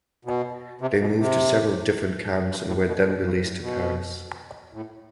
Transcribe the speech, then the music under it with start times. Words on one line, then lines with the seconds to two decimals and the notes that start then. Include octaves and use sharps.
They moved to several different camps and were then released to Paris.
0.25 B2
0.81 C3
1.00 B2
1.19 C3
2.50 G2
2.67 A2
2.87 B2
3.05 B2
3.24 G2
3.42 A2
3.61 B2
4.73 A2